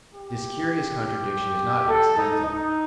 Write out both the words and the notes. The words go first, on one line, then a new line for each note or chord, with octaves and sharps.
This curious contradiction is not accidental.
G4
A4
D#4
D#4